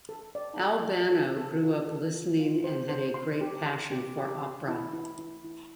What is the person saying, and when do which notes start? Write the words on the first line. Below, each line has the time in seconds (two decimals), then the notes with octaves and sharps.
Al Bano grew up listening and had a great passion for opera.
0.09 A4
0.35 D5
0.60 A4
0.85 A4
1.11 A4
1.37 A4
1.63 F4
1.87 A4
2.13 F4
2.39 F4
2.64 C5
2.89 C5
3.14 C6
3.41 G4
3.66 C6
3.91 G4
4.17 G4
4.42 C6
4.68 E4
4.93 E4
5.19 E4
5.45 E4